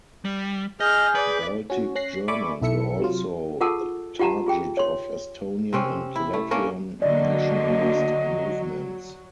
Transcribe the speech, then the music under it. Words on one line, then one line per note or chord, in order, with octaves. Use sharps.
Baltic Germans were also the target of Estonian and Latvian nationalist movements.
G3
G#4 D#5 F6 G6
B4 D5
C#4 F#4
C#4 F#6 A#6 C7
D5 E5 G#5 B5 C#6 D6
B1 E4 A4 E5 C#7
C3 F#3 F4
F4 G#4 A4 F#5 A5 E6
F4 G4 F#5 A5 A#5
F4 G#4 G5
C#5 C6
C3 C4 C#4
E4
A3
A#3 C#4 D4
D3 F#3 A#3 D5 D#5